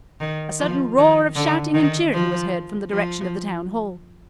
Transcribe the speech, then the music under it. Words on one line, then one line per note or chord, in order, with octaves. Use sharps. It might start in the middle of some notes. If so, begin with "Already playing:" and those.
A sudden roar of shouting and cheering was heard from the direction of the Town Hall.
D#3
F3
D#3
D3
D#3
F3
F3